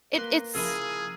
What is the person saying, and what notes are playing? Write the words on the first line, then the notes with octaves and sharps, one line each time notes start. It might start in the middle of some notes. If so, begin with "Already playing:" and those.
it it's
A#3 B4 C6 F#6 A#6
C#3 F3 E4 G#4 A#4 E6 F6 D#7